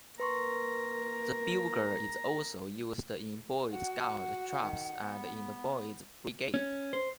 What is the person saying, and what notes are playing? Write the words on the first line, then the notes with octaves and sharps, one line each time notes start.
The bugle is also used in Boy Scout troops and in the Boys' Brigade.
A#3 A#4 B4 A#5 C6 C#6
F#4 F#5
D#3
B3
C#4
C5